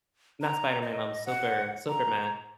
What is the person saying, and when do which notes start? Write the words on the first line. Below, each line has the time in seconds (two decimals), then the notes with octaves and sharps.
Not Spider-Man, um, Super Superman.
0.42 A#5
0.82 D#5
1.26 F#5
1.89 A#5